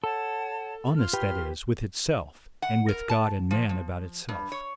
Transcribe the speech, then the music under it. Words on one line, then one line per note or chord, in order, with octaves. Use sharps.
Honest, that is, with itself, and with God and man about itself.
A4 C#5 F#5 A5
F4 C6 F6
G4 B4 G5
F#5
A#4
A5
F3
F3
G2
C#5